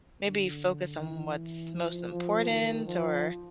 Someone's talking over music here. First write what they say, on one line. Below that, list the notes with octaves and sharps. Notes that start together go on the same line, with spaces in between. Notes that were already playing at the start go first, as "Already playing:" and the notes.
maybe focus on what's most important or
D3
E3
F3
F3
D#3
F3